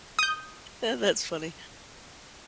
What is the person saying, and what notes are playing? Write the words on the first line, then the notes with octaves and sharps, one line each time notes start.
Yeah, that's funny.
D#6 G6